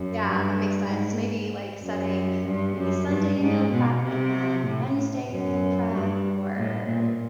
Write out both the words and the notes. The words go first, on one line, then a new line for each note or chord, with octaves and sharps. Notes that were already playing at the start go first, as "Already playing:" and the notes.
Yeah, that makes sense, s maybe, like, setting maybe Sunday meal prep and, then, Wednesday meal prep or
Already playing: F#2
G2
G#2
F#2
G2
F#2
G2
G#2
B2
C3
A2
F#2
G2
A2
A#2